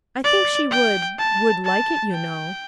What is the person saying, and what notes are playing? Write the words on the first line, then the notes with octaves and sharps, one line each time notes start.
"I think she would,--would like it, you know."
D5
G5
A5
A5
G5